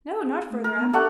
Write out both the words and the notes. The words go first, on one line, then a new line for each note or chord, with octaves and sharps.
"No, not further aft."
G#4
A3
A#4
B3
A3 D4 G4 F#5